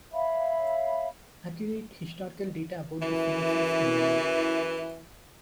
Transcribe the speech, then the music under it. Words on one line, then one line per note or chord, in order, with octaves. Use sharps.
Accurate historical data about the saints is minimal.
C#5 E5 F5 B5
F#2 E3